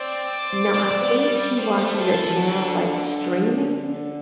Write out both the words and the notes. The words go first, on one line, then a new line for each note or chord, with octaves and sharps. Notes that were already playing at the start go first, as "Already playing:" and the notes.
no, I think she watches it now, like, streaming,
Already playing: C4 D5
C4
B3
G3
G3 C5
A3
F3 A4
F3
E3
D3